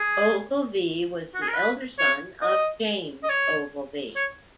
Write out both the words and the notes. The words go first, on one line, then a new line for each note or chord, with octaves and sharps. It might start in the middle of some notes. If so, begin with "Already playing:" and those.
Ogilvie was the elder son of James Ogilvie.
Already playing: G#4
F#4
G#4
A#4
B4
C#5
D#5
D#5
C#5
C#5